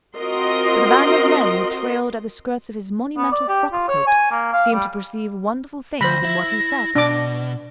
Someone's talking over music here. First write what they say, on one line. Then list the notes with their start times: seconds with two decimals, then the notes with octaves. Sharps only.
But the band of men who trailed at the skirts of his monumental frock-coat seemed to perceive wonderful things in what he said.
0.17 C4 F4 F#4 A#4 D#5 C6
3.17 B3
3.32 D5
3.49 G4
3.72 F4
3.88 C#5
4.07 G#5
4.31 A#3
4.53 F5
4.72 G3
6.01 D2 C5 B5 A#6
6.23 E4 E5
6.96 B2 D4 D6